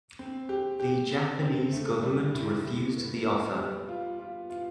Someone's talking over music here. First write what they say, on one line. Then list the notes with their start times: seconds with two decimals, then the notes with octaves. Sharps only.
The Japanese government refused the offer.
0.19 C4
0.49 G4
0.80 G4
1.12 C4
1.42 C4
1.72 A3
2.03 G3
2.34 A2
2.65 A2
2.96 B3
3.26 B3
3.58 G3
3.89 F4
4.19 F4
4.50 F4